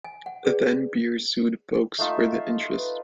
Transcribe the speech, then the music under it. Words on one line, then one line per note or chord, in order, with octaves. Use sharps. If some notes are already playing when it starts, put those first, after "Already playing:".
Then Beer sued Foakes for the interest.
G#5
F#5
G#4 B4 D5
A3 D#4 F4 E5
B4